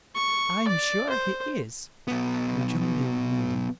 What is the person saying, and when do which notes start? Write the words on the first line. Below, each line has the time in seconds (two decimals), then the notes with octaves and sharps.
'I'm sure he is,' rejoined the old lady.
0.15 C#6
0.67 D5
1.09 C5
2.08 B1 B3